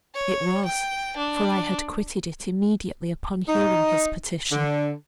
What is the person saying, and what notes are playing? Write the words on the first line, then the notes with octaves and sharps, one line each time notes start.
It was, for I had quitted it immediately upon hearing his petition.
C#5
G5
D4
D#4
D3